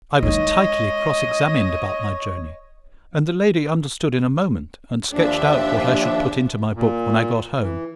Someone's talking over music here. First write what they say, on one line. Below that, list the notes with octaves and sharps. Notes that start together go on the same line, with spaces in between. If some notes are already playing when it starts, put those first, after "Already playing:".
I was tightly cross-examined about my journey; and the lady understood in a moment, and sketched out what I should put into my book when I got home.
G#3 D#4 C#5 D#5
D#2 F3 D4 G4 E5
A#2
E3